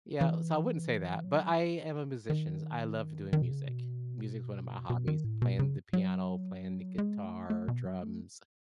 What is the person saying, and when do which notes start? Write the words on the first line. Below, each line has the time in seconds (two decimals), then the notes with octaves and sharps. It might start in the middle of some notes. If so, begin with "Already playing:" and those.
yeah, so I wouldn't say that, but I am a musicians, I love doing music. Music is one of my hobbies, playing the piano, playing the guitar, drums,
0.21 E3
1.24 F#3
2.30 D#3
3.33 D#3
3.42 B2
3.51 C#3
3.69 B2
4.90 B2
5.08 D#3
5.24 A2
5.42 B2
5.59 C#3
5.93 F#3
6.98 G#3
7.25 A3
7.50 A3
7.68 B2
7.85 F#3
8.03 A3